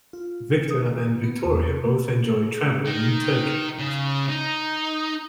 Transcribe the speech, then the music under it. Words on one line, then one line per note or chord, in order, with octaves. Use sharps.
Victor and Victoria both enjoy traveling in Turkey.
F4
D#6
D#3
B3
E2
C3
D#3
C#3
D#4